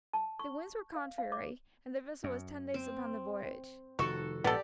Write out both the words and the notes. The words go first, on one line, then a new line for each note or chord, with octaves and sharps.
The winds were contrary, and the vessel was ten days upon the voyage.
A5
C#6
F5
F5
D6
F#2
C4
F1 B2 D#3 F#4 A4 C#6
A#1 G#2 B3 G4 A4 D5